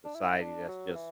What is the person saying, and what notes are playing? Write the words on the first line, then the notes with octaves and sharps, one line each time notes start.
society that's just
D4
E4
D4
F#3
E3